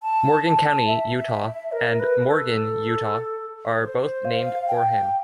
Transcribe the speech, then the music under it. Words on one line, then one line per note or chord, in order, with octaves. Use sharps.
Morgan County, Utah, and Morgan, Utah, are both named for him.
A5
A5
E5
A#4
B4
A4
C5
F5
G5